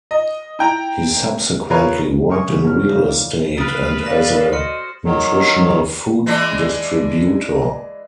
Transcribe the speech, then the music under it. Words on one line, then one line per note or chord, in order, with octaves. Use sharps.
He subsequently worked in real estate and as a nutritional food distributor.
D#5
E4 G5 A#5
F4 G#4 A#4 B4 C#5
G#4 A#4 G5 C#6 D#6 G#6
C#3 E3 G3 B3 E4
F#2 A3 E4 C#5 C#6 F6
F2 D#4 E4
D5
B4 F5 D#6 A6 D7
A4 D5 F5 A#6
F#4 C5 D#5 C6 F6 C#7
D#3 F#3
E3 G#3 D4